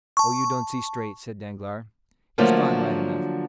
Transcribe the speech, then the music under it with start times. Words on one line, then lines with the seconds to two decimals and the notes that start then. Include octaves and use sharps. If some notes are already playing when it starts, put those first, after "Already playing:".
"Oh, you don't see straight," said Danglars; "he's gone right enough."
0.17 A5 C#6
2.38 D3 F3 F#3 A3 A#3 C#4